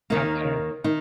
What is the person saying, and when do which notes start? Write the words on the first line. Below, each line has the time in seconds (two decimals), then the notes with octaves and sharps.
I wanna
0.10 D#2 D#3 A#3 D#4
0.84 D#3 D#4